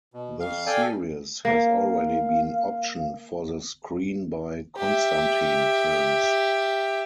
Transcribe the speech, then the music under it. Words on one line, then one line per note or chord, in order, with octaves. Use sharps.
The series has already been optioned for the screen by Constantin Films.
B2
F2 F5
A4 D5 F5 G5 G#5
A#3 F5
G4 E5